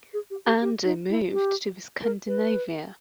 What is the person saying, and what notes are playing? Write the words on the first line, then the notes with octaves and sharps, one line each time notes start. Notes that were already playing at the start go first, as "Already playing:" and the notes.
Andy moved to Scandinavia.
G#4
G4
G4
G4
D#4
E4
G4
A#4
B4